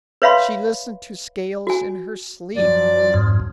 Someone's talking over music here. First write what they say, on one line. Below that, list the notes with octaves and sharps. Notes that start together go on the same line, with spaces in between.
She listened to scales in her sleep.
B4 C#5 E5 F5 B5 C6
F#4 G#5
F#2 F3 F#3 D5
F2 G#2